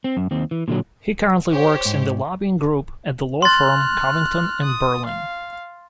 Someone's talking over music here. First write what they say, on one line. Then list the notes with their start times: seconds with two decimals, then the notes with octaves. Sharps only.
He currently works in the lobbying group at the law firm Covington and Burling.
0.04 C4
0.17 F#2
0.31 D#2 C4
0.51 E3
0.68 A#2 D3 F3 F#3
1.51 G4 C5 C#5
1.85 G#2
3.42 C6 F6 F#6 A6
4.64 D#6
5.06 F5